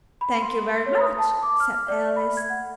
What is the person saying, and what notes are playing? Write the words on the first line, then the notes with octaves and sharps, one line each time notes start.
'Thank you very much,' said Alice.
B5
C6
C#5
D#6
A5
D6
F6
D5
B5
G#6
F#5